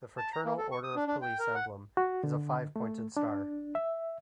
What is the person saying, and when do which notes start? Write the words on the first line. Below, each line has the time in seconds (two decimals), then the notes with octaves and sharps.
The Fraternal Order of Police emblem is a five-pointed star.
0.18 A5
0.33 A#5
0.45 A#3
0.58 A4
0.72 C#6
0.83 D#6
0.95 D4
1.07 D4
1.22 G5
1.39 A#4
1.55 F#5
1.97 F#4
2.24 D3
2.76 A3
3.17 D4
3.75 E5